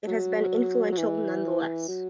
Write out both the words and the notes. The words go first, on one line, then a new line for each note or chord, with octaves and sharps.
It has been influential nonetheless.
F#3
F#3
E3
F#3